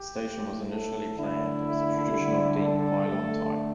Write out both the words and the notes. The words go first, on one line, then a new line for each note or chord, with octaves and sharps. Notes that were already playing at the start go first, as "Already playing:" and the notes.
The station was initially planned as a traditional deep pylon type.
Already playing: G4
A2 A3
A4
D3 A3 E4
D3 G3
A4
D3 A3